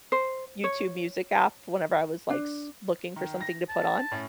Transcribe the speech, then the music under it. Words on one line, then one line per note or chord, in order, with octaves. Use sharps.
YouTube Music app whenever I was, like, s looking for something to put on,
C5
C#5
D4
D#3
A#6
A5
A2 C#4